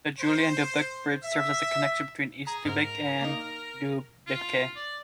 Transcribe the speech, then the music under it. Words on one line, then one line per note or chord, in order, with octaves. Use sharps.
The Julien Dubuque Bridge serves as the connection between East Dubuque and Dubuque.
C5
E5
G#4 A#5
G#2 A#4
A#3 D#4
F4
D5